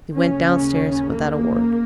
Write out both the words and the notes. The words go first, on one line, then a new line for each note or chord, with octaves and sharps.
They went down stairs without a word.
D#2 C#3 C#4
A#3